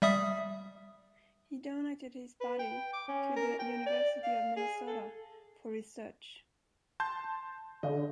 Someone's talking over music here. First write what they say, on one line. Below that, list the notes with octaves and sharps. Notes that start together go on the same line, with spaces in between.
He donated his body to the University of Minnesota for research.
G3 E5 D#6
B4
G5
D6
C#4
A#4
G5
D5
F5
G#4
A4
A5 C6 G6
D3 D#5